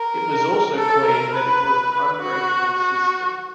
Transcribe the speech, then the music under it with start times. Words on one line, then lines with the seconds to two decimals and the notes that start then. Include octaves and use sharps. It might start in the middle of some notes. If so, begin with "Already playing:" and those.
It was also claimed that it was an unbreakable system.
Already playing: A#4
0.76 A4
1.05 A#4
1.34 B4
1.92 B4
2.21 F#4
2.78 F#4